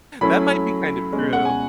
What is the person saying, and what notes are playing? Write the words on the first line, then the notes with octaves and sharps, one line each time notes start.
That might be kind of true,
F#3 A3 C#4 E4 B5
B2 G#3 C#4
F#5
G#5